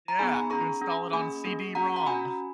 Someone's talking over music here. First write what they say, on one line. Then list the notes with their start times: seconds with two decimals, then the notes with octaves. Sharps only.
Yeah, you install it on CD-ROM.
0.08 A#5
0.19 B3 D#4 G#4 G#5 B5
0.34 G#5 B5
0.50 C#4 G#4 A#5 C#6
0.82 C#4 G#4
1.13 A#3 C#4 G#4 G#5 B5
1.45 A#3 C#4 G#4
1.75 C#4 F#4 F#5 A#5
1.96 F#5 A#5
2.06 C#4 F#4 G#5 B5